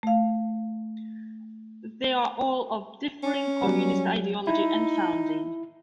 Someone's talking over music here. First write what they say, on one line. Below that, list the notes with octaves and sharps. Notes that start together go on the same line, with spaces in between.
They are all of differing communist ideology and founding.
A3 F5
C#4
F#3 G3
D#4 E4